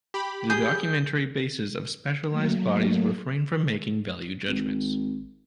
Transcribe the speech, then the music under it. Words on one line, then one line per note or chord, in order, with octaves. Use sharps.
The documentary bases of specialized bodies refrain from making value judgments.
G4 B5
G#4 G6
F#3 A3 A#3
G#1